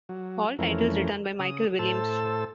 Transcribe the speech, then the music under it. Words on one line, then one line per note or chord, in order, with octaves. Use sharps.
All titles written by Michael Williams.
F#3
F2 E3 A3 C#4 A#4
C#3 D#6
A2 A4 C5 A5 E6